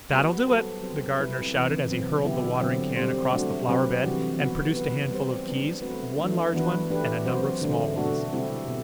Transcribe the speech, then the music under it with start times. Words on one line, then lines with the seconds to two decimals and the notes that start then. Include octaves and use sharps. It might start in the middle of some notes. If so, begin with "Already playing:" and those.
"That'll do it!" the Gardener shouted, as he hurled the watering-can across the flower-bed, and produced a handful of keys--one large one, and a number of small ones.
0.11 G3 B3 F#4 B4
0.47 F#3 B3 F#4 A4 C5
0.83 F#3 C4 G4 C5
1.18 C3 G3 C4 E4 B4
1.54 C3 E3 B3
1.90 B2 F#3 C4
2.25 D3 F#3 B3 E4 G4
2.60 D3 F#3 C4
2.96 G3 C4 G4 C5
3.32 F#3 A3 D4 F#4
3.68 C3 F#3 C4 G4 B4
4.04 C3 E3 G3 D4 F#4
4.39 B3 F#4 B4
4.75 B3 E4 B4
5.11 G3 C4 G4 C5
5.47 F#3 B3 D4
5.82 A3 C4 F#4 B4
6.18 E3 A3 D4
6.53 E3 B3 D4 F#4 B4
6.89 A3 D4 G4 B4
7.25 F#3 C4 F#4 C5
7.61 D3 A3 D4
7.96 B2 A3 D4 F#4 A4
8.32 C3 G3 C4 E4 G4
8.68 B2